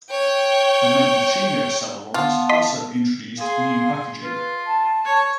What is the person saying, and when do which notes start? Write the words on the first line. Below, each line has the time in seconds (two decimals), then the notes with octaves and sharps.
The Mendocino Celerons also introduced new packaging.
0.10 C#5 G5
2.14 B3 F4 A5
2.49 D#5 C6 B6
3.38 G#4 F5 C6
4.22 F4 B4
4.67 A5
5.05 C#5